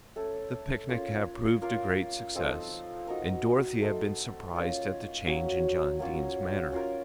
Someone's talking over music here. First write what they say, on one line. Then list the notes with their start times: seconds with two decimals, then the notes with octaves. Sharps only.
The picnic had proved a great success, and Dorothy had been surprised at the change in John Dene's manner.
0.16 A3 C#4 A4
0.89 A#3 C#4 F4
1.62 A#3 F4 A#4 F5
2.35 F3 C4 D#4 A4
3.07 D#4 F#4 A#4
3.81 A3 D#4 A4 C5
4.54 A#3 C#4 F4
5.27 F#3 A#3 C#4 F#4
5.99 F#3 A#3 C#4 F4
6.72 C#4 F4 A#4